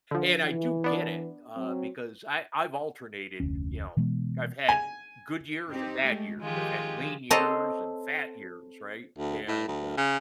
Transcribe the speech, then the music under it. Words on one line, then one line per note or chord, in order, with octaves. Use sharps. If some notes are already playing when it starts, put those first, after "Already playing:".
and I do get it, uh, because I I've alternated, you know, I've had good years and bad years. I've had lean years and fat years, right, and, uh,
D3 F3
E3
B3 D4
F#3 C4
F1 D2 C#4
B2 E3 G#3 B3
G#5
C4 D#4 G4
G#3 A3
D#3 F3 G#3 F4 G4
C4 A4 C5 C#5 D#5 A#5
D2
A2
D2
C#3